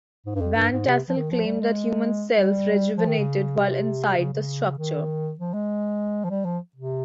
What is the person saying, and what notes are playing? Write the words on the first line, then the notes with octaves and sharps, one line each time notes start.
Van Tassel claimed that human cells "rejuvenated" while inside the structure.
G#2
G2
F2
G2
G#2
C3
F3
D#3
F3
G3
G#3
G3
F3
D#3
C#3
C3
C#3
C#3
D#3
F3
G#3
F3
G3
F3
C3